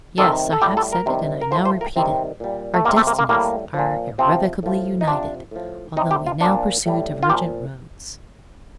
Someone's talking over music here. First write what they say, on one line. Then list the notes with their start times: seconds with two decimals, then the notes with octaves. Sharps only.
Yes, I have said it and I now repeat it: our destinies are irrevocably united, although we now pursue divergent roads.
0.18 C3 D#3 G3 A4
0.52 A4
0.62 A2 G3 G4
0.77 A4
0.92 A#4
1.06 C3 D#3 G3
1.41 A#4
1.51 F3 C5
1.55 A2
1.65 C5
1.81 A#4
1.96 C3 D#3 G3 C4
2.40 A#2 G3
2.74 A3
2.85 G3 A#3
2.88 C3
2.96 A3
3.07 A#3
3.19 A#3
3.29 A2 G3 A#3
3.74 A#2 F3
4.18 C3 F3 C4
4.63 A2 F3
5.01 D#4
5.07 C3 F3 D4
5.51 A2 F3
5.96 C3 G3 D#4
6.11 G4
6.26 F4
6.41 A#2 F3 D4
6.86 A2 G3
7.23 F4
7.29 A#2 F3 G4